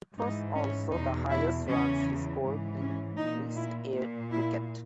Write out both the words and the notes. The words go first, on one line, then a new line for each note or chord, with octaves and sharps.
It was also the highest runs he scored in List A cricket.
G#2 E3 D#4
C#4
E2 B2 D#4
E4
E2 C#3 E3 C#4
G#2 E3
C#4
A#2 D#4
E4
A#2
E4